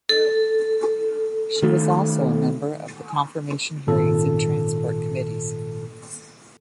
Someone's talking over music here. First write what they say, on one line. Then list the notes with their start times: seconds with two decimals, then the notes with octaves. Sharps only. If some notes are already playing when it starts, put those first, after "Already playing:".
She was also a member of the Confirmation Hearings and Transport Committees.
0.09 A4
1.62 D#3 A3
3.87 G#1 A#2 A4